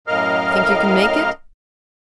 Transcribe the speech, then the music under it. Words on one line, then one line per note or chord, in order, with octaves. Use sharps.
"Think you can make it?"
F#2 A2 A#4 D#5 F5 F6